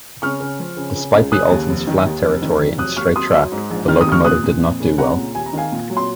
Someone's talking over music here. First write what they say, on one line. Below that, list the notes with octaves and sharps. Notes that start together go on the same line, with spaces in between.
Despite the Alton's flat territory and straight track, the locomotive did not do well.
C#3 C#6 F6
C#3
F3
C#3
C#3
C#2
C#3 D#6 F#6
D#2
F1
D#3
D#2
F1
D#3
F1
F#3 D#6 F#6
D#2 C#6 F6
F#3 C6 D#6
F#3
G#2
A#1
D#3 F6
D#6
D#2
C#6 F6
A#2 D#6 F#6
A#2
F2
C#3
C2 F#5 A#5
A#2
D#2 G#5
A#5
D#3 F5 G#5
A#2
F#3
C6